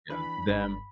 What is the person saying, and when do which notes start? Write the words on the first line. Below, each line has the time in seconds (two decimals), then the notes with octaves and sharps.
Yeah. Them
0.10 E3 D4 B4 B5
0.48 G1 D4 B4